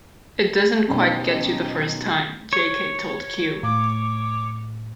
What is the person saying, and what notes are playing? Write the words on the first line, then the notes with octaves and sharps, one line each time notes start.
"It doesn't quite get you the first time," Jay Kay told "Q".
F#2 B2 D#4 G4 D#5
C#5
A2 D6